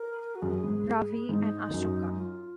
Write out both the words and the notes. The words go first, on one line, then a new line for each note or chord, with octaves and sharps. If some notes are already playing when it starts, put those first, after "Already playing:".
Ravi and Ashokan.
Already playing: A#4
F#4
F#2 G#4
G#2
G#2 D#4
F#2
F4